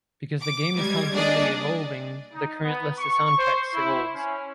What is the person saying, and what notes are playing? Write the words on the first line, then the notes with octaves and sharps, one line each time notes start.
Because the game is constantly evolving, the current list of soundtracks evolves.
D6
G3 G#3 G#6
A#3 D4 G#4 D5 D#5
D#4
B3
C#6
C5
E4
C#4